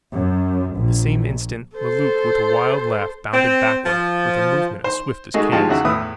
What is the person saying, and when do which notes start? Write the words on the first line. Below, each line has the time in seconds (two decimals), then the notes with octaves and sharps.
At the same instant Le Loup with a wild laugh bounded backward with a movement as swift as Kane's.
0.12 F#2
0.76 A#1
1.76 A4 C5
3.33 C4
3.86 F3
4.84 C5
5.34 G#3 A3 D#4 F#4 G#4
5.52 D2 F3 G#3 G4 F5 A5
5.69 E2 C#3 F#4 E5 F#5
5.85 E2 A2 B4 E5 D#6